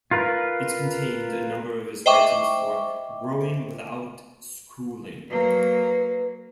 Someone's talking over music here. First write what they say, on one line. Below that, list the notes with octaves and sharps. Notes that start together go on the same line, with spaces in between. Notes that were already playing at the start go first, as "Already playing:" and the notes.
It contained a number of his writings for "Growing Without Schooling".
F4 A#4 B4
C5 D#5 E5 G5 C#6 D6
F#3 A#3 B4